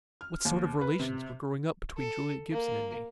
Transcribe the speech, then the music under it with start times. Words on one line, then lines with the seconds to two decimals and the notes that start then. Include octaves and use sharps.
What sort of relations were growing up between Juliet Gibson and me?
0.21 F6
0.45 D#2
0.81 B4
0.99 C3
1.97 A4
2.51 A#3